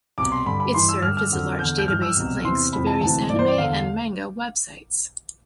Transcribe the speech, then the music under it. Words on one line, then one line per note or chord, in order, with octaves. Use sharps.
It served as a large database of links to various anime and manga websites.
C2 B2 D6
C6
G2 D3 B5
B5
G2 E3 C6
E6
G2 D3 F6
F6
F2 D3
E2 D3 G6
G6
G2 E3 F6
E6
C2 B2
E2 C3 E3 C6
F2 C3 E3 B5
A5
D2 C3 E3 A5
G2 E3 D5
C5
D5
E2 D3 F5